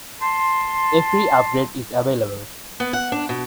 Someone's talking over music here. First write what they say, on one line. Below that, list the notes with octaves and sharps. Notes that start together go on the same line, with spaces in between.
A free upgrade is available.
A5 C6
B3
F#5
D4
B2